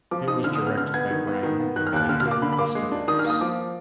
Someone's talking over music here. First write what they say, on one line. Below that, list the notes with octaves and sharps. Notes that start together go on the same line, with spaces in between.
It was directed by Brown and Edgar Esteves.
F3 D6
D#4 D#6
D3 F6
D#6
B3
F6
D3 F6
B3 G#6
D#3
B3
D#3
B3
D#3 F#6
F6
D#2 F#6
D3 F6
F6
A#3
D6
D3 B5
B5
A#3 D6
G#3
D4
D#3 D#6
F6
A#3
D#6
F3 D6